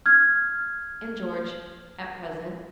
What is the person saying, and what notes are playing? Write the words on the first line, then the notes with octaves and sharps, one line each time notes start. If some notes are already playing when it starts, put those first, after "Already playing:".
"And George,--at present."
F6 G#6